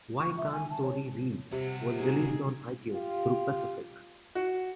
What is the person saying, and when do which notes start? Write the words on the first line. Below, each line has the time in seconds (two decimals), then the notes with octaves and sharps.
"Y Kant Tori Read" was released on iTunes through Pacific.
0.18 C#6
0.38 E5
0.53 G#5
0.70 A5
0.82 C#5
1.52 C3 G3 F#5
1.97 D#4 F#4 G#4
2.91 F4 G4
4.35 F#4